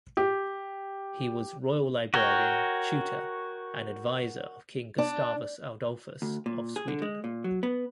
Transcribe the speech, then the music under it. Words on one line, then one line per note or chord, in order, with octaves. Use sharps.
He was royal librarian, tutor, and adviser of King Gustavus Adolphus of Sweden.
G4
F#4 A#4 C#5 G5
D4
D2
A#2
G#4
D3
G#3
A#2
F#3
B3